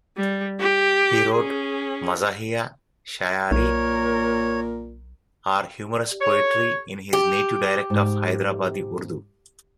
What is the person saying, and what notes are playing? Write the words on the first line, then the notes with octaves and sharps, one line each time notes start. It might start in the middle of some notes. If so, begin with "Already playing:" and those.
He wrote "mazahiya shayari" or humorous poetry in his native dialect of Hyderabadi Urdu.
G3
G4
C#4 G#4
B1 A#2 A#4 C#5
C#5
G4
G#2